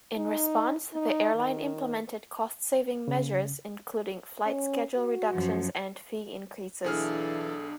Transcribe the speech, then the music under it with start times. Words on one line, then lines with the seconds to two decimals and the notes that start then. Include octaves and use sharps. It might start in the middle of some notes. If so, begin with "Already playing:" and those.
In response, the airline implemented cost-saving measures, including flight schedule reductions and fee increases.
0.17 D#4
0.94 D#4
1.35 D#3
3.08 C#3
4.46 C#4
4.97 F#4
5.30 F#2 F3
6.84 B1 E3 D4 E4 G#4 A4 F6